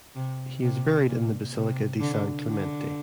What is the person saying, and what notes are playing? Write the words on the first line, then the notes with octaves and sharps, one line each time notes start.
He is buried in the Basilica di San Clemente.
C3
C3
A#2
C3
D3
D3